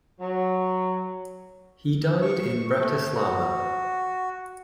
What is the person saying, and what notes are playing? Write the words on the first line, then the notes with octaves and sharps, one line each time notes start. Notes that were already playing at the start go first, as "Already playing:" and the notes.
He died in Bratislava.
F#3
C#6
A3
F#4